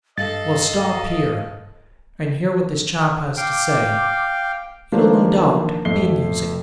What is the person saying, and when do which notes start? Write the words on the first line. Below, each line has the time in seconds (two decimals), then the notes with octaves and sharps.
"Well, stop here, and hear what this chap has to say: it'll no doubt be amusing."
0.18 G2 A4 D#5 F5 A6
3.37 F5 G5 D6
4.92 D#3 F3 A#3 D4 B4 C5
5.85 F2 A3 C7 G7